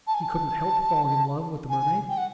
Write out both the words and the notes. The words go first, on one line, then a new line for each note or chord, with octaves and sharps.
"He couldn't help falling in love with the mermaid."
A5
G#5
A5
G#5
G5
F#5